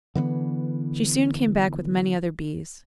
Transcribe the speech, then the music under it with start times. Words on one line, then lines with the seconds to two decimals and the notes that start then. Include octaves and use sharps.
She soon came back with many other Bees.
0.15 D3 E3 G#3 B3